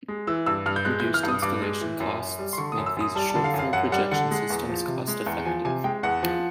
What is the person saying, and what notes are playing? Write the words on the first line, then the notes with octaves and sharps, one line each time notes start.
Reduced installation costs make these short-throw projection systems cost effective.
G#3
E3 E6
G2 E6
G2 F6
G6
G#3 F#6
G6
E3
F6
G2
D#6
G2 D6
G#3
E3
F#2
F#2
G3
C6
D3 C#6
D#6
F#2
E6
F#2 D#6
G3 A5
A5
D3
F5
F#2
F5
F#2 F#5
G3 F#5
D3 F#5
G#3
E2
F3
C3
G#3
E2
F3 G#5
C3 G#5
G#3 G5
E2 F#5
F3